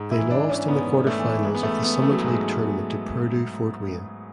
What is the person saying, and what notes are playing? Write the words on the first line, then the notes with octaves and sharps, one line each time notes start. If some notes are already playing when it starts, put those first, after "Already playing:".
They lost in the quarterfinals of the Summit League Tournament to Purdue Fort Wayne.
Already playing: G#2
E4
E3
D4
E3
C#4
G#2 B3
G#2
A3
E3
G#2 G#3
B3
A3
E3
B3
E3
A3
F#3
G#2 G#3